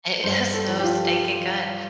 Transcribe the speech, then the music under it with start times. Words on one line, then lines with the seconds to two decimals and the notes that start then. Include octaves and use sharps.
It is so stinking good.
0.24 G2 C5
0.54 A4
0.68 F3
0.80 G4
0.84 F4